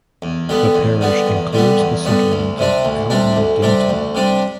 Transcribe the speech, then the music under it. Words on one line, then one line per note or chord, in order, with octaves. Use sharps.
The parish includes the settlement of Almodington.
E2
D3 G3 B3
E2
D3 G3 B3
E2
D3 G3 B3
E2
D3 G3 B3
D2
C3 G3 D4
D2
C3 G3 D4
D2
C3 G3 D4
D2
C3 G3 D4